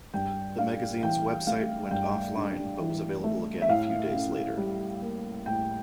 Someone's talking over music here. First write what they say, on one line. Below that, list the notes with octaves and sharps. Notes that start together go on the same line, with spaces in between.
The magazine's website went offline but was available again a few days later.
G2 G5
D4 F5
E3 G5
A3 F5
G2 G5
D4
E3
A3
E5
A2 F5
C#4
G3
A#3
A2 G5